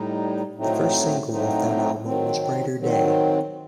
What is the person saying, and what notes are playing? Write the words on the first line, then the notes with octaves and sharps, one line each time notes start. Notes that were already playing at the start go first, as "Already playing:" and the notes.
The first single off that album was "Brighter Day".
Already playing: A2 G3 D#4
A2 F#3 A3 C4 D#4
A2 F#3 A3 C4 D#4
D#3 F#3 C4
D#3 F#3 C4